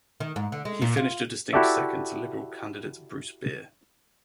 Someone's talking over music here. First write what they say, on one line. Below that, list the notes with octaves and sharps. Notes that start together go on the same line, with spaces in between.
He finished a distant second to Liberal candidate Bruce Beer.
D#3
G#2
D3
G#3
A#2
F4
E4 F#4 G4 A4 D5 E5